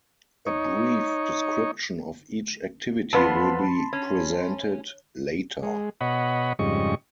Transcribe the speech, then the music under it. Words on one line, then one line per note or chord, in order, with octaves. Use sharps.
A brief description of each activity will be presented later.
D#4 C#5
F2 B3 A5 B5 C6
C#4
G#3
B2 C#5 D#5 F#5 B5
F2 G#2 C#3 G3 D#5 C#6